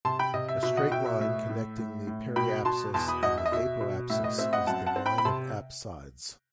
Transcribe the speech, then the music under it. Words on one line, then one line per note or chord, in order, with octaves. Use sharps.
A straight line connecting the periapsis and apoapsis is the "line of apsides".
C3 A5 C6
G5 B5
C3 D#5
E5
B2 E5
D#5 F#5
B2 E5 G5
E5
A2 E5
A2
A2
A2
B2 G5 B5
B2 A5 C6
E2 A5 C6
B5 D#6
E2 D#5 F#5
E5
D#5
B2 E5
B2
A2 E5
D#5
C4 E5
D#5 F#5
F#2 F#5 A5
F#5 A5
C4
G5 B5
B5
C3 A5 C6